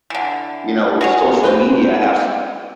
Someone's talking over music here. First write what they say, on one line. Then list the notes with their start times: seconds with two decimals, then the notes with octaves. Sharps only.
you know, social media have s
0.10 D3 E3
1.01 F#4 G#4 C#5
1.43 B4 C5